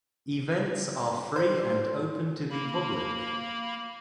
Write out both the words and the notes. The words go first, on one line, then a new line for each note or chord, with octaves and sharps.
Events are free and open to the public.
C5
A#3 B5